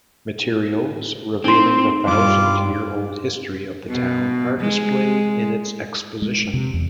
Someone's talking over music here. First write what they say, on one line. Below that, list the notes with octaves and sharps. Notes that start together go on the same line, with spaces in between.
Materials, revealing the thousand-year old history of the town are displayed in its exposition.
C4 D#4 C6
E2 G2 F4 D6
B2
G#3
G#3
C3
E2